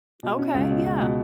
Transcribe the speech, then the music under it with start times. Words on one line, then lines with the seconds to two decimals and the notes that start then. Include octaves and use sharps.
Okay, yeah.
0.23 B2
0.39 C#4
0.54 C#2
0.70 B2
0.86 C#2
1.00 B2